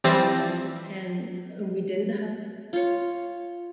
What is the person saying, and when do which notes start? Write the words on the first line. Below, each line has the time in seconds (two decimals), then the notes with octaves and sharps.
Um, and, uh, we didn't have
0.04 E3 G3 C4 A6 A#6
2.73 F4 C#5